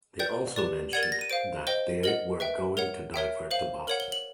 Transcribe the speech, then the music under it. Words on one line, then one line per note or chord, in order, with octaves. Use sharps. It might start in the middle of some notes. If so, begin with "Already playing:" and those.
They also mentioned that they were going to divert to Boston.
B4 D5 G5 G6
G4 B4 D5
A#4 D5 F#5 G#6
A6
A#6
D#7
C5 F5 D7
C5 D#5 G5 G7
A#4 D#5 F#5 F#7
B4 E5 G5
A#4 C#5 F#5 F7
A#4 C#5 E5 G5
C5 F5 F#7
A#4 C#5 F#5 F#7
G7
F#7